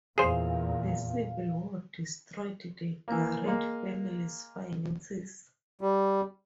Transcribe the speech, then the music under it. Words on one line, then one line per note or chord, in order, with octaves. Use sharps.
The Civil War destroyed the Garrett family's finances.
E2 A#2 G#4 C5 F5
E3 A#3
G#3 A#3
G3